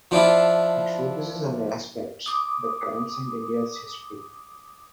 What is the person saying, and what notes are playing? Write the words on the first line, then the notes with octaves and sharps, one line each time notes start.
It focuses on the aspects that transcend India's history.
F3 D4 E4 F4
D6 D#6